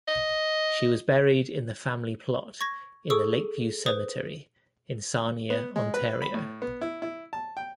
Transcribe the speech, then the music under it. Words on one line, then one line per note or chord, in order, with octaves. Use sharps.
She was buried in the family plot in the Lakeview Cemetery in Sarnia, Ontario.
D#5
C#6 G#6 A#6
G#4 A4 C#6 D#6 E6
B4 C5 D#6
B3
G#3
B4
B5
A2
B3
E4
E4
A5
G5